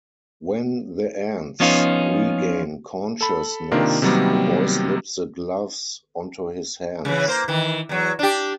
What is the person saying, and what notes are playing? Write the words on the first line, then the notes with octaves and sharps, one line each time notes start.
When the ants regain consciousness, a boy slips the gloves onto his hands.
F3 B3 C#4 D#4 F4
A4 B5
C3 D#3 A#3 D4 F4 A#4
C3 D#3 F#3 G3 A#3 B3
C#3 E3
A#3 C5
D#3 E3
E2 F#3
D4 G4